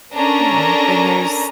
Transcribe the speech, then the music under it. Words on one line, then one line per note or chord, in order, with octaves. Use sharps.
you know, then there's
C#4 D4 A4 A#4 A#5